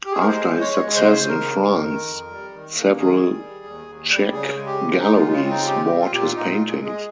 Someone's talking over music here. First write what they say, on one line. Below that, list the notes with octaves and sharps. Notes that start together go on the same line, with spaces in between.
After his success in France several Czech galleries bought his paintings.
G4
G#4
A#4
G#3 C5
G#3
C#5
G#3
C#3 C5
C#3
A#4
C#3
F2
D#3
F2
G3
D#3
A#3
D#3 G#4
G3
G3
D#2
D#2
G3
C#3 G#4
G#3
G4
G#3
G#3 D#4
F4
C#3
F4
C4
D#4
F4
G#3 G4
C4
F4
A#2 G4
F4
A#2 D#4
A#2 F4
G#4
G#3
G#4